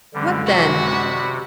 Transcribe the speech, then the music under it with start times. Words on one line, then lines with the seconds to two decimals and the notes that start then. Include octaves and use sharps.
What then?
0.14 F#2 D3 E3 G3 G#3 C4
0.46 C3 F#4
0.91 D5 D#5 B5